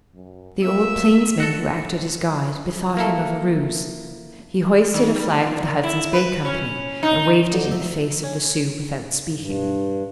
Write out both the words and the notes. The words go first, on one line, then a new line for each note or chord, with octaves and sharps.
The old plainsman who acted as guide bethought him of a ruse: he hoisted a flag of the Hudson's Bay Company and waved it in the face of the Sioux without speaking.
F#2
A#3 E5
D3 F#4 A4
A#3 E4 A4
D#3
G3
A#2
E4
B4
C#4
D#4
D3
E5
C#4
G2